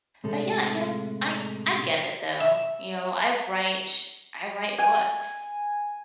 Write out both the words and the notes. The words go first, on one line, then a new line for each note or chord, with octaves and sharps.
but, yeah, you know, I I get it, though, you know, I write I write books,
A2 C3 G#3 A4
E5
G#5